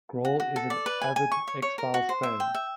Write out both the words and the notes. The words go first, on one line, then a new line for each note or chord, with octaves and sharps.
Grohl is an avid "X-Files" fan.
F#4
F#4
A4
D5
B4
G#5
G#5
C#6
C#5
C#5
A#4
F#4
C5
E5
G5
E5